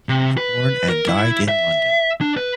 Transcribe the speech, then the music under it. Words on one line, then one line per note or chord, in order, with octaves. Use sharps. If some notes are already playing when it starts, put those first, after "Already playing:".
He was born and died in London.
C3
B4
A#4
E4
E5
D4
B4